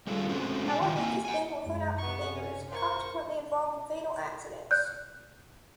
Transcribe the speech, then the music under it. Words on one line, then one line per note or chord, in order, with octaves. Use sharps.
However, this bend will turn out to be dangerous, consequently involving fatal accidents.
G3 G#3 F4 A4
G#3 A3 C4 C#4 F#4
D4 G#4 F#5 G#5
D#3 E3 F4
A#3 E4 G#5
F#5 G#5
F#2 G#3
C3 B3 C#6
C#4
A#4 C5 C#6
D5 F#6 G6